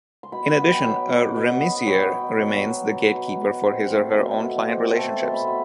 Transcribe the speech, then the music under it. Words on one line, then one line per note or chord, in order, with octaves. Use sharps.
In addition, a remisier remains the gatekeeper for his or her own client relationships.
C6
B2 B5
B3 F#5
G5
F#3
B2 F#5
B2
B3
F#3 G5
B2
B2
B3
F#3
B2
B2
C4
A3
B2
B2
C4
A3 A5
B2 C6
B5
B2